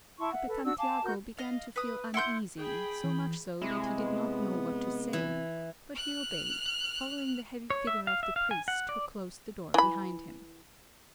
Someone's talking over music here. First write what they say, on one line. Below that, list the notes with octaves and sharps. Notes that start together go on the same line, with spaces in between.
Capitan Tiago began to feel uneasy, so much so that he did not know what to say; but he obeyed, following the heavy figure of the priest, who closed the door behind him.
E4 A5 C6 C#6
E5 F#5
A4 B4
D4 F#4 E6
F5 G#5 A5 D6
F#4 A#4 G6
D#5 F5
B4 D#6
E4 F#5 C6 G6
G#4 G5 B5
E3
C3 G#3 E4
B3
E3
F6 F#6
C#5
E5
F5
E5
F5
G#5
F#5
D5
E3 B5